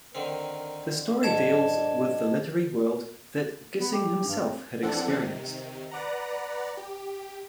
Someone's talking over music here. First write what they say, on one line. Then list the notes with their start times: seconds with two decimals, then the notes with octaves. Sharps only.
The story deals with the literary world that Gissing himself had experienced.
0.15 D3 D#3 C4 A#4
1.23 B1 G#2 D4 D#5 A5 G#6 E7
3.80 B3
3.93 G4
4.28 G2
4.40 C4
4.83 F2 E3 C4 D4 A4 F#5
5.19 C3 D#3
5.91 B4 D5 F#5 A#5
6.77 G4